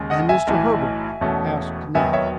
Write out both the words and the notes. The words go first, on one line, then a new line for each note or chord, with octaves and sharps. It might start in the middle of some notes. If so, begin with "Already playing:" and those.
"And Mr. Herbert?" asked Neb.
Already playing: D#2 C#3 G#3
D#5 F#5
E5 G#5
B1 A2 E3 A3 E4
E1 E2 B2 A3 C#4
E1 D#2 D#3 F#3 B3 E5 G#5
C#5 E5